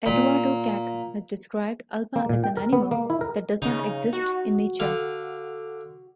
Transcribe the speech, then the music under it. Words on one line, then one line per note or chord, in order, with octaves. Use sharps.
Eduardo Kac has described Alba as an animal that does not exist in nature.
A#2
A#3
A#2
G5
A#4
B3
A#3
E4
A#4
C#3 D#4 A#5
F#4
D3 F5